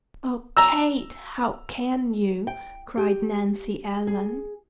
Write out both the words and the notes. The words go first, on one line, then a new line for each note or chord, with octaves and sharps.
"Oh, Kate, how can you!" cried Nancy Ellen.
A#5 E6
G5
G4
G#4